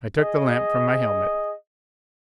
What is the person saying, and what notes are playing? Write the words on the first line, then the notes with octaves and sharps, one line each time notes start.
I took the lamp from my helmet.
G#4 D#5